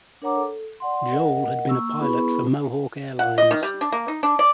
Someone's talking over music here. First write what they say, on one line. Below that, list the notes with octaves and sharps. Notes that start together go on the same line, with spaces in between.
Joel had been a pilot for Mohawk Airlines.
D4 A#4 C#5 F#5 A#5 D6
A4
D5 F#5 C6
A#4 D#5 F#5
A#3 C#6 E6
B3 E4 G#4 B4 B5 C#6
F#5
D#5
D#3
G3
D4
A#3
D#4
D4
D5